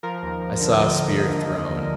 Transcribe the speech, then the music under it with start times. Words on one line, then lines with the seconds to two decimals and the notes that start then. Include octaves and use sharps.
I saw a spear thrown.
0.03 F3 A#4
0.22 D#2
0.41 D#2
0.60 D3
0.78 F3 D#5
0.96 D#2
1.15 D#2